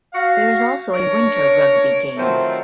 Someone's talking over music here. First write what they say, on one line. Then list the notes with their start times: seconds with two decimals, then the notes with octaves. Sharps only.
There is also a winter rugby game.
0.14 F#4 F5
0.93 D4 A#4 C#5
2.16 D#3 F3 F#3 A3 C4